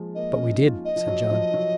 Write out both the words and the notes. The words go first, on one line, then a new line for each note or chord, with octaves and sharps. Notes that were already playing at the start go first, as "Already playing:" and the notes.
"But we did," said John.
Already playing: F3 G#3 A#3
A#3 D#5
C#4
D#4
F4
D#5
F3
F#3
F3
F#3